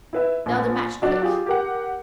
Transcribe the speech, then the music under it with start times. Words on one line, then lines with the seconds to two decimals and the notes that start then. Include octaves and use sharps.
Now the match, quick!
0.13 E4 B4 E5
0.46 A#1
1.02 F#3 D4 F#4
1.22 F4 G4 G#4
1.46 G4 A#4 F#5